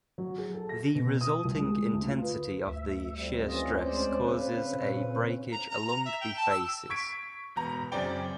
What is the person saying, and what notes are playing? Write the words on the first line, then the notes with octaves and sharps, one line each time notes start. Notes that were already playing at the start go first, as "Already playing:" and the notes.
The resulting intensity of the shear stress causes a breakage along the faces.
F#3
G#4
A4
A#6
B2
D#6
C2
G#3
D2
F4
B4
D2 E5
F2 G3
E3 C4 C#4 F4 D#5
G#3 C5 D5
C#3 B4
A#2
A#5
A#5
A#5
E5
G5
A5
E6
C#6 G#6 B6 D7
E1 B3 A#5
F#2 C#3 C4 D5 G5